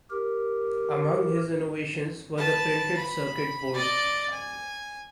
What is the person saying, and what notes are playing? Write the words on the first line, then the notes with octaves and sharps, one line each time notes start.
Among his innovations were the printed circuit board.
G4 A#4
B4 A5
B5
D5 D#5
G#5